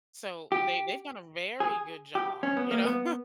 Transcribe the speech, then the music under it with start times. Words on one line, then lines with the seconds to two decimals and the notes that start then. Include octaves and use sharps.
So they they've done a very good job, you know,
0.52 G4
1.60 G#4
2.15 G4
2.43 C#4
2.57 B3
2.71 A#3
2.84 B3